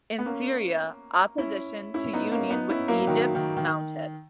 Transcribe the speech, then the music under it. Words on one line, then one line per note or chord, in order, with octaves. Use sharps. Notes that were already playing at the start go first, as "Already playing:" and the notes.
In Syria, opposition to union with Egypt mounted.
B3
A#3 C#4
C#4 E4
C#4 E4
B3 D#4
A#3 C#4
B3 D#4
C#4 E4
F#3 A#3
D#3 F#3
D#3
D#3